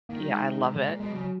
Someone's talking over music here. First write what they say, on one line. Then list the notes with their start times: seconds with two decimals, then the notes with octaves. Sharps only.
Yeah, I love it.
0.09 D#3 A#3
0.21 F#3
0.25 G#3
0.60 D#3
0.70 C#3
0.85 A#2
1.00 B2 G#3
1.10 F#3
1.14 C#3
1.20 F#3